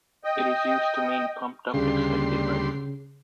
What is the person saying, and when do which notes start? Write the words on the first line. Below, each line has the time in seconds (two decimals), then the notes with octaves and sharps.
It is used to mean pumped up, excited, and ready.
0.24 D#5 G5
1.74 D2 C#3 G3 C6